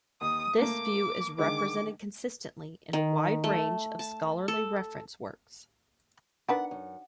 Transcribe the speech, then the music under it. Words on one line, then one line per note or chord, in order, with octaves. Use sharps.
This view is represented consistently in a wide range of scholarly reference works.
D#2 D#6
A3 A#3 D6
D3 D#3 G#3 D6
D#3
A3
A5
A4
D#3 D4 B4 F#5
F#2